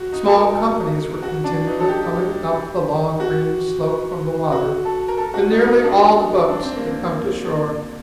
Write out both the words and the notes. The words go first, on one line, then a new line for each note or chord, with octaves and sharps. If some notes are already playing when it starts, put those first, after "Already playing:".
Small companies were continually coming up the long green slope from the water, and nearly all the boats had come to shore.
Already playing: F#4
D#4
A4
A#4
A4
F#4
D4
D#4
A4
G4
F#4
F#4
A4
A#4
A4
F#4
D#4
D#4
D4
D4
C4
A#3
C4